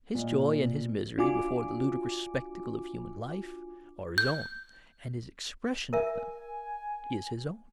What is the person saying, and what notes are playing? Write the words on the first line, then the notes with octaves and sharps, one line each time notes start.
His joy and his misery before the ludicrous spectacle of human life are his own, and his expression of them is his own.
A#2 D#5
D4 F4 F#4 G#5 D6
G6
A#4 E5 G#5